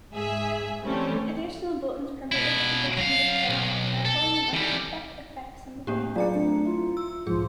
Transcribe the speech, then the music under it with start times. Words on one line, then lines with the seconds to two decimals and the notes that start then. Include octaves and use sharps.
Additional buttons permitted adjusting the player's guitar volume and feedback effects in the game.
0.12 G#2 G#4 E5
0.85 E3 G3 A3 C4 C#4
2.32 B2 E4
2.97 F#3 F5
3.50 B1
4.05 A4
4.54 E3 G3
5.87 A2 A#3 D4 G4
6.16 F#3 F4 G#4 D5 A#5 C#7
6.34 A3 C4 D4
6.65 E4 F4
6.97 E6
7.27 B1 G#2 F3 G#4